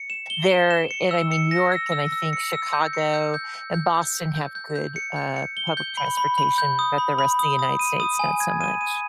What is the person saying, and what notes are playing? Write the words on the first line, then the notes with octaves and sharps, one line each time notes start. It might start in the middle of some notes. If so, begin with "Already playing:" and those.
there and I mean, New York and I think Chicago and Boston have good, uh, public transportation, but the rest of United States, not so much.
Already playing: C#7
E7
G7
E7
E7
C#7
E6
C#7
A#6
E6
E6
E6
C#7
E6
G6
C#7
G6
G6
G6
G6
G6
G6
G6
G6
G6
C#7
G6
C#7
G7
G6
B5
B5
B5
G6
D#6
B5
B5
D#6
D#6
D#7
D#6
G#5
G#6
D#7
D#7